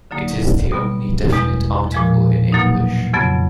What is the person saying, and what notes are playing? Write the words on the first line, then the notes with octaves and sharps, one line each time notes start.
It is the only definite article in English.
D3 F#3 A#3 D#4
B2 G3 B3
E2 B2 G#3
A#2 F3 G#3
B2 F#3 A#3 D#4
F2 C#3 F#3 B3